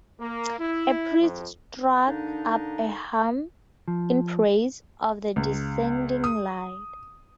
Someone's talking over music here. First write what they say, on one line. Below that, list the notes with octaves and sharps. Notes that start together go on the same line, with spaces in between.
A priest struck up a hymn in praise of the descending light.
A#3
E4
F2
D3 A#3 D4 D#4
F3
C#2
D#6